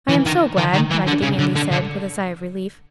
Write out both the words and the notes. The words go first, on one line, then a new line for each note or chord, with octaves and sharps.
"I am so glad!" Raggedy Andy said, with a sigh of relief.
E3
D#3
D#3
D#3
E3
D3
C#3
D3
D3
D3